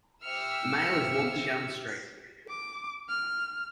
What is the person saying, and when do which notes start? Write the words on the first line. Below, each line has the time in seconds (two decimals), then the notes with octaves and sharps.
A male is walking down the street.
0.24 G4 C5 E5 E6 F6 C#7
2.49 D6
3.09 F6